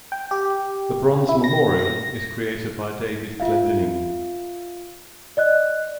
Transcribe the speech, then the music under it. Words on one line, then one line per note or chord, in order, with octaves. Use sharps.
The bronze memorial is created by David Clendining.
G5
G4
E4
A#6
A#6
F4 E5 F5
D5 D#5 F#6